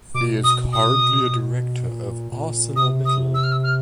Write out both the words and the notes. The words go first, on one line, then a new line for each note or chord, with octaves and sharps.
He is currently a director of ArcelorMittal.
B2 D6
D#6
D#6
A#2
A#2
C3 D#6
D#6
E6
F6
E6
F6